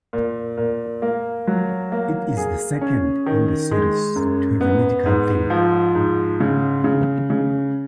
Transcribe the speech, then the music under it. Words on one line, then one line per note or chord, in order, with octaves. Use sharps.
It is the second in the series to have a medical theme.
A#2
A#2
A#3
F#3
A#3
G#4
C#4
D#3
G#3
F#2
B3
G#2
F3
G#2
C#3
C#3
C#3